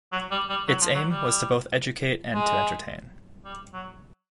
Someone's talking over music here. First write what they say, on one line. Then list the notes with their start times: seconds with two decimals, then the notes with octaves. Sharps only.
Its aim was both to educate and to entertain.
0.12 F#3
0.31 G3
0.49 G3
0.68 F#3
0.81 F3
0.95 F#3
1.09 G3
2.34 G#3
3.44 G3
3.73 F#3